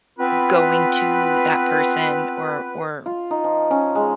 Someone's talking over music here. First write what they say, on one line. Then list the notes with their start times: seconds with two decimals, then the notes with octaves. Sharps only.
going to that person or or
0.19 B3 C4 F4 B4
3.06 F4
3.31 D#4
3.44 F3
3.71 C#4
3.95 G#3